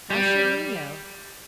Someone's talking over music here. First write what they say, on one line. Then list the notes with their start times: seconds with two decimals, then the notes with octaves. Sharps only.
'How should he know?
0.10 G3